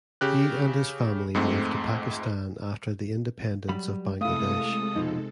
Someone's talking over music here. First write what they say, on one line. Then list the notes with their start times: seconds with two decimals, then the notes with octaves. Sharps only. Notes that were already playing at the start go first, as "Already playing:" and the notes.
He and his family moved to Pakistan after the Independence of Bangladesh.
0.21 C#3 G4 F#6
1.35 F2 G#2 A3 C4
3.69 F#3 G3 B5
4.21 C3 G#3 A3 E4 A4 F5 D#6
4.96 F2 B2 F3 D#4